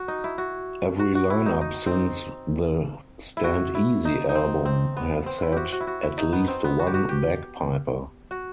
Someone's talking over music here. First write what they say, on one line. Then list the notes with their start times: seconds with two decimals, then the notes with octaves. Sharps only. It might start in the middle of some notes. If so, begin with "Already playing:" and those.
Every line-up since the "Stand Easy" album has had at least one bagpiper.
Already playing: F#4
0.08 D#4
0.24 E4
0.38 F#4
0.99 F#4
1.15 F#4
1.30 E4
1.46 D#4
1.61 D#4
1.86 C4 D#4
3.37 E4
3.44 F#4
3.75 E4
4.05 D#4
4.29 D#4
4.35 C4
4.65 C4
4.97 B3
5.26 C4
5.42 E4
5.52 F#4 G4
5.72 F#4
5.80 E4
5.87 F#4
6.03 E4
6.18 D#4
6.33 B3
6.48 C4
6.64 B3
6.79 F#4
6.87 G4
6.94 F#4
7.09 G4
8.31 F#4